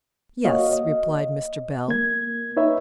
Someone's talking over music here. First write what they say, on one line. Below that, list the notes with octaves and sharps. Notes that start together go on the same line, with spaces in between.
'Yes,' replied Mr. Bell.
A#3 F#4 C#5 D#5 F5
D#5
A#3 G#6
D#4 B4 C#5 E5